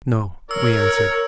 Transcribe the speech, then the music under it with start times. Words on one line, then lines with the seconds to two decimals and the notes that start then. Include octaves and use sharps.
"No," we answered.
0.51 A#4 C#5 E6